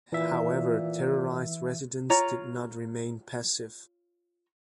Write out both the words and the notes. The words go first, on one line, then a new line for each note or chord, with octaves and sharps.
However, terrorized residents did not remain passive.
A#2 E3 E5
F4 C#5 A#5